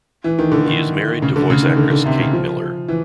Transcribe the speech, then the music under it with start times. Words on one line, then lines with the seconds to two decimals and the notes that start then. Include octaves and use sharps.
He is married to voice actress Kate Miller.
0.24 E3
0.39 D#3
0.52 D3
0.66 D#3
1.22 C#3
1.36 D3
1.50 C#3
1.63 D#3
1.77 D3
1.91 D3
2.06 C3
2.19 C#3
2.33 F3
2.88 E3